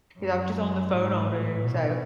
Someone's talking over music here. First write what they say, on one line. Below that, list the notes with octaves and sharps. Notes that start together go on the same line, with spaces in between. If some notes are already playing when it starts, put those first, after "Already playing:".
goes, "I'm just on the phone all day." So
F#2
G#2
A2
B2